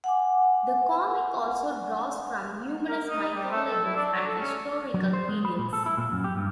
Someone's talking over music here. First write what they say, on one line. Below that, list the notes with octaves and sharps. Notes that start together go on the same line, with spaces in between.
The comic also draws from numerous mythologies and historical periods.
F#5 G#5 D6
A#4
D#4
D#5
G3
A3
A4
E4
D4
F#3
A4
C#4
F#3
C5
G#3
B5
A#2
A4
E4
A#2
F#2
G4
G2